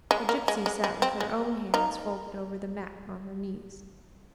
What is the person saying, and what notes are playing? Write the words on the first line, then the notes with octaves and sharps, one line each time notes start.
The gipsy sat with her own hands folded over the mat on her knees.
G#3
A#3
G#3
G#3
G#3
C4
G#3
A#3 D#4